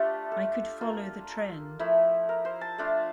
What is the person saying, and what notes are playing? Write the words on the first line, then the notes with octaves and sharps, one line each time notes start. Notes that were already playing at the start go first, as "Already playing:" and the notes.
I could follow the trend.
Already playing: A3 D4 F4 G4 A4
A4
A#3 F4
F3 A3 E4
A#4
C5
A5
A3 D4 F4